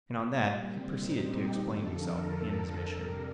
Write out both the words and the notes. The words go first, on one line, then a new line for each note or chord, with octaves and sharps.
And on that he proceeded to explain himself and his mission.
A#2 G3
C4
D#4
G4
F2 D3 F3 A4
A#4
F2 C3 G3